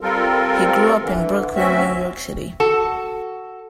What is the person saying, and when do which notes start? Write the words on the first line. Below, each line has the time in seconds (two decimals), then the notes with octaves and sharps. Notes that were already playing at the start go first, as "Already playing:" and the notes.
He grew up in Brooklyn, New York City.
0.01 G3 C4 F4 A4 A#4
1.02 D3 E3
1.56 D2 C4 C#4 F#4 E5
2.60 F#4 A4